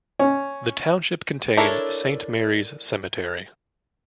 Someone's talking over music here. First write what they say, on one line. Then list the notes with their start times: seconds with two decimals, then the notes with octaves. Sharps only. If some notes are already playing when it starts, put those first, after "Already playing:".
The township contains Saint Marys Cemetery.
0.19 C#4
1.57 D4 E4 A4 A#4 C#5